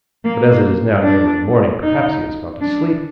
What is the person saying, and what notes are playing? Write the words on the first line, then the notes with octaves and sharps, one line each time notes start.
But as it is now nearly morning, perhaps he has gone to sleep...
A#3
D4
D#4
D4